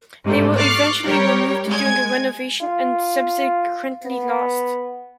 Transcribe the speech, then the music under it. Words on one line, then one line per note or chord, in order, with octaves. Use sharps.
They were eventually removed during a renovation and subsequently lost.
G#2 C3 G3 A3
C#6 D6 F6 F#6 A6 C7
G3 G4 A#4 C#5
G#3 G#5 G#6
F4
B3